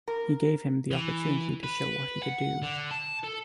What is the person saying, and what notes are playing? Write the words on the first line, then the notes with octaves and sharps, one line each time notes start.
He gave him the opportunity to show what he could do.
A#4
E3
B4
F#5
D3
A5
A4